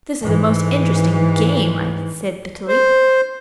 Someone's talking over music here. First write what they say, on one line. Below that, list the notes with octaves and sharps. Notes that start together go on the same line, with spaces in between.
"This is a most interesting game," I said bitterly.
G#2 E3
C5